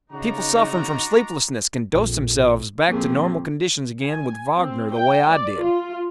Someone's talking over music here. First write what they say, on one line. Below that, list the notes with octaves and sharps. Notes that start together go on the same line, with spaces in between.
People suffering from sleeplessness can dose themselves back to normal conditions again with Wagner the way I did.
C#3 D4 D#4 F#4 A#5
A#1 F2
A#1 F2 C3 A3 A#3 C4 G#4
G#5
C4
G5
D5
F4